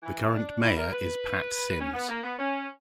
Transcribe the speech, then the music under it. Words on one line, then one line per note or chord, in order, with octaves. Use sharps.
The current mayor is Pat Sims.
E3
D4
E4
A#4
B4
C#4
B3
A#3
B3
C#4